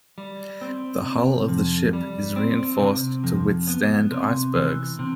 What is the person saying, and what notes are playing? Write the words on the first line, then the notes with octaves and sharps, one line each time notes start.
The hull of the ship is reinforced to withstand icebergs.
G3
C4
C3
F2
G3
C4
C3
F2
B3
C3
E3
C3